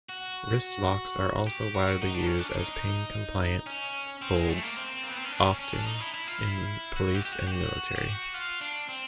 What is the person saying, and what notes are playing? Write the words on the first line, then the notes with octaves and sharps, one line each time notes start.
Wristlocks are also widely used as pain compliance holds, often in police and military.
F#4
G4
F#4
D#4
D4
C#4
D4
D4
D#4
C#4
C4
G#3
A3
A#3
C4
A#3
B3
C4
C#4
D4
C#4
C#4
D4
D#4
E4
E4
F4
E4
F#4
G4
G4
F#4
G4
F#4
G4
F#4
F4
D4
C4